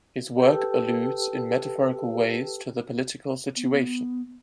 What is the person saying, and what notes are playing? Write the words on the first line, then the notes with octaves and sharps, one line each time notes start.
His work alludes in metaphorical ways to the political situation.
G4 A4 B4 G5 A5 E6
B3